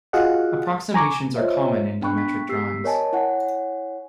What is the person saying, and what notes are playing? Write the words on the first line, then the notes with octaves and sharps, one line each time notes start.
Approximations are common in dimetric drawings.
F4 F#4 G#4 D#5 F5 F#5
G#5 A#5 C#6 D6
F4 C5 C#5 D#5 E5
B3 D4 G5 B5 C#6 F#6
B6
B3 G4 E6 B6 C7
A#4 C#5 D#5 G#5 A5
E4 C#5 F#5 G#5